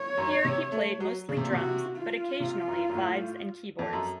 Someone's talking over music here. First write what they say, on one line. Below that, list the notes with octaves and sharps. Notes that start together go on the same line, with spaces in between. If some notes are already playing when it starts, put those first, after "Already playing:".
Here he played mostly drums, but occasionally vibes and keyboards.
Already playing: C#5
F#2
C3
A3
F#3
C#3
C3
A#2
C3 F#4
F4
C3
F#2
F#2
A2
F2
F#2